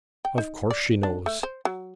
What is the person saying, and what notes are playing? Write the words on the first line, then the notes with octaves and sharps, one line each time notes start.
'Of course she knows.
G5
D#4
D5
D4
A3
C5
F#3